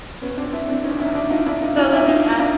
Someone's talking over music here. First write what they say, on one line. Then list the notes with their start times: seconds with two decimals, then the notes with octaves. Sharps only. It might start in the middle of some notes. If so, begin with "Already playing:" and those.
Ooh gosh. So, let me a
0.21 B3 C#4
0.37 C4 D4
0.53 D4 E4
0.68 C4 D4
0.84 C#4 D#4
0.99 D4 E4
1.15 D4 E4
1.30 D#4 F4
1.46 D4 E4
1.62 D#4 F4
1.77 D#4 F4
1.92 D4 E4
2.08 D#4 F4
2.28 F4
2.39 D4 E4